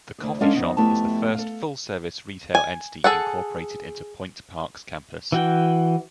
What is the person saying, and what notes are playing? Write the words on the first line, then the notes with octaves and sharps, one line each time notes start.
The coffee shop is the first full-service retail entity incorporated into Point Park's campus.
D2 G#4
G#3 B3 C#4 D4 A4 F5
F2 D#3 B3 D#4
F2 A3 B3 E4 G4 A5
A4 F5
G#5
G#4 A4 F#5
E3 F#4 G5